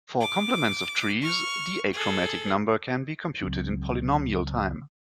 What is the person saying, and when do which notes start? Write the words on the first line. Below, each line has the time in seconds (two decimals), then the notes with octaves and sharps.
For complements of trees, the achromatic number can be computed in polynomial time.
0.21 D6
1.22 C#6 F6
1.93 G#4 A4
3.43 C#2 F#3 C4